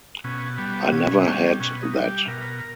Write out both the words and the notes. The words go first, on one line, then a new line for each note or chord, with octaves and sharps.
I never had that.
B2 C#4
G3 B3
B2 C#4
G3 C#4
B2 C#4
D#4
G3
G4
B2 A#4